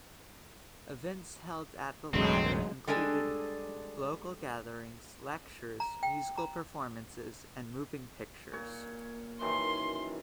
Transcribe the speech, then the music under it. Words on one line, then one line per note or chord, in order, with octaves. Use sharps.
Events held at the latter included local gatherings, lectures, musical performances, and moving pictures.
E1 A1 D3 F#3 G#3 C4
G3 G#3 D4 G#4 A4
A#5
G5
A#5
A#2 C#5
F#2 D#3 E3 C6